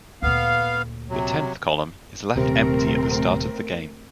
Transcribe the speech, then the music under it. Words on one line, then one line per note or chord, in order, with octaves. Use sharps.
The tenth column is left empty at the start of the game.
D2 A#2 B3 F5
C3 F#3
D#1 C3 A3 C4 A#4